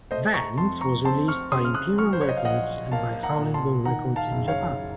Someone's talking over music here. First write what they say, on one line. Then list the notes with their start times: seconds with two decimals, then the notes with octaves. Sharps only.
"Vent" was released by Imperium Records and by Howling-Bull Records in Japan.
0.11 A3 C5 D#5
0.34 A#5 C#6
0.58 F2 A5 C6
0.81 A#5 C#6
1.05 C4 A5 C6
1.28 C#6 F6
1.52 C#3 C6 D#6
1.65 F6
1.74 D#6 F#6
1.98 F#3 C#6 F6
2.13 C5
2.21 C#5
2.29 D#5
2.37 F5
2.45 A#1 D#5 F#5
2.92 A#3 F5 A5
3.23 F#5 A#5
3.38 A#2
3.54 A5 C6
3.85 D#3 F#5 A#5
4.16 F5 A5
4.32 F#1
4.48 C#5 F5